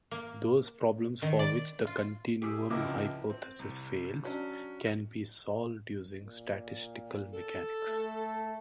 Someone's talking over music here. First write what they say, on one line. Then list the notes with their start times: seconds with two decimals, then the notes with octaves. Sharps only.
Those problems for which the continuum hypothesis fails, can be solved using statistical mechanics.
0.11 A#3
1.22 D#3
1.39 D5
1.87 F4
2.42 G4 G#4 D6 E6
2.70 C#2 C3 F3 E4 A#4 D6
3.30 C4
3.59 C2
4.24 F#3 C#4 D4
6.25 A#2
7.32 A4
7.88 A3